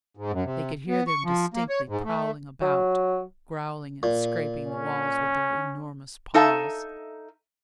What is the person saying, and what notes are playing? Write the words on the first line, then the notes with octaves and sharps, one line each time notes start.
They could hear them distinctly prowling about, growling and scraping the walls with their enormous paws.
G#2
F#2
C3
B3
C#6
F3
A#3
C#5
G#2
A3
F#3
A#2
C#4
D#4 A4 E5 F5 A5